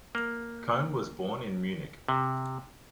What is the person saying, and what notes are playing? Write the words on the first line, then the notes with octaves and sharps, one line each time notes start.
Kohn was born in Munich.
A#3
C3